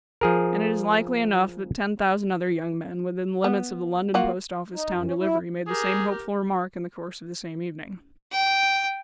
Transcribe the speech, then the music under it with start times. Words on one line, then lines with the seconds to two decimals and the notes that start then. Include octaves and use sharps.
And it is likely enough that ten thousand other young men, within the limits of the London Post-office town delivery, made the same hopeful remark in the course of the same evening.
0.21 F3 G#4 A#4
3.44 B3
4.14 A#3 F4 F#4
4.74 D#4
4.93 F#2
5.06 C#4
5.19 E4
5.67 G4 G#4 A#4
8.32 G5